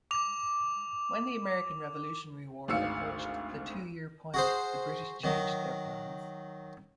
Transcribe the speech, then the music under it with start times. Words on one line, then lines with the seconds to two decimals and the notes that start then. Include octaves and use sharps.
When the American Revolutionary War approached the two-year point, the British changed their plans.
0.11 D6 F7
2.68 G#1 D2 F5 E6 C#7
4.34 F#4 G#4 C5
5.24 D#3 F#3